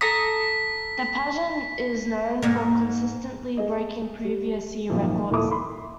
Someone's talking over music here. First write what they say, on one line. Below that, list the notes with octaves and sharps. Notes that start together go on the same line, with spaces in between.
The pageant is known for consistently breaking previous year records.
A4 A#5 D#6 B6
G#2 A#3
G#4 D#5
G3
G#1 F#2 A#2 F3
D#1 A#2 E4 A4 D6 D#6
B5 C6